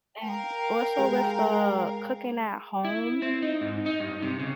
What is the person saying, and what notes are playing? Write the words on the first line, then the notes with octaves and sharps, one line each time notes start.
And also with the cooking at home,
A#4 F5 G5
G#3
E4
C4
D#4
G#2
D#4
G2
C3
C#3